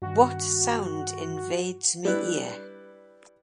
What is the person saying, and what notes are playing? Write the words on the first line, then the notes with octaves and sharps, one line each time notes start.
What sound invades me ear?
G2 D#3 F#4
G3 D4 E4 B4